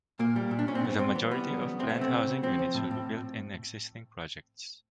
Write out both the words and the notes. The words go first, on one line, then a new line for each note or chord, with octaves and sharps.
The majority of planned housing units will be built in existing projects.
A#2 A#3
G3
A#2
D4
A#2 C#4
C4
G3 B3
G3 C4
E3 B3
G3 B3
F#3
C#3
A3 C4
B3
A3
C4
C#3
C#3
F3 C4
F3
A2
A2